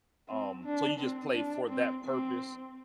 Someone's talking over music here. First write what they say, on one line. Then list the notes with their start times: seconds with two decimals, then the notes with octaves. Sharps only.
um, so you just play for that purpose,
0.29 C4
0.65 D4
1.00 C4
1.35 D4
1.70 C4
2.06 C4